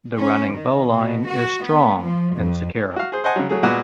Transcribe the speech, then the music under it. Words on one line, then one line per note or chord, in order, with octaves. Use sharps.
The running bowline is strong and secure.
C#4
D#3
B2
F#4
B3
F3
F2
F#4 F5
G#4 C5
C5 D#5 F#5 G#5 A5
C#3 F#3
F#3 A3 G#4
A#2 G#3 B3 F#4